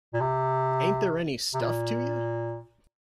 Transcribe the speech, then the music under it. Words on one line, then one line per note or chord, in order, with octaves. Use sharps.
Ain't there any stuff to you?
A#2
C3
C3
A#2